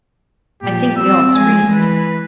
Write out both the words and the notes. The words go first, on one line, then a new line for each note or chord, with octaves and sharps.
I think we all screamed.
A#2 F3 G4
G3 C4 E6
F3 G#3 G#5
E3 B4